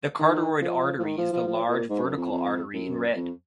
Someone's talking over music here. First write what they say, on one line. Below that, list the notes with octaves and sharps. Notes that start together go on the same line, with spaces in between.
The carotid artery is the large vertical artery in red.
D#3
F3
F3
D#3
F3
F3
F3
A#2
G#2
F#2
F2
F2
F#2
F2